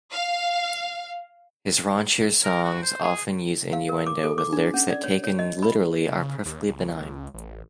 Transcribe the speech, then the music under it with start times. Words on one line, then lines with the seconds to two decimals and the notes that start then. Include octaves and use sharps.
His raunchier songs often use innuendo, with lyrics that taken literally are perfectly benign.
0.12 F5
2.44 A#4
2.64 F#4
2.82 C5
3.03 G#4
3.73 F5
3.89 A#4
4.07 D6
4.24 A4
4.38 D6
4.53 D4
4.74 C#4
4.91 D5
5.04 C#5
5.24 C#5
5.39 D#5
5.63 B5
6.07 C#3
6.46 D#2
6.68 C#2
7.15 C#2
7.34 A1